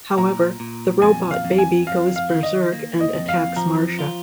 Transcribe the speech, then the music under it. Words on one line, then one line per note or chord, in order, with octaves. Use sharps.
However, the robot baby goes berserk and attacks Marcia.
A#2 A#5
A#2
F2 G#5
F5
F2
G#5
F2 F5
F5
D#3
D#5
A#3
D#5
F2
F5
F3 A#5
F4